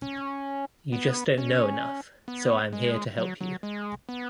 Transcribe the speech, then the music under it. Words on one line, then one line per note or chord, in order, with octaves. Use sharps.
You just don't know enough, so I am here to help you.
C#4
B3
C#4
B3
G#3
F#3
F#3
G#3
B3